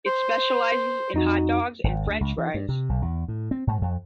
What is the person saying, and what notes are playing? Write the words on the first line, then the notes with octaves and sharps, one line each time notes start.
It specializes in hot dogs and french fries.
C5
F2 D#4 F#4
G#1
D2
C#2
E3
G2
C3
B1
E2
A2
C4
G#2
F2